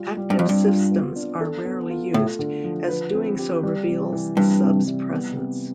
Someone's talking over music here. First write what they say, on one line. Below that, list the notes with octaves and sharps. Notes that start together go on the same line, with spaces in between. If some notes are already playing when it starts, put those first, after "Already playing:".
Active systems are rarely used, as doing so reveals the sub's presence.
Already playing: G3 F4
G3
G2
F2 C4
G2
F4
B3
D4
A4
B3
F4
A2 A3
D3
F3
B4
C4
G4
G3
C3
E3
G2 C4
C3
G3
B3
C3